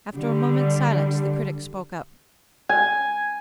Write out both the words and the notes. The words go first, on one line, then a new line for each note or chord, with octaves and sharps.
After a moment's silence the Critic spoke up.
D3 G3
G#5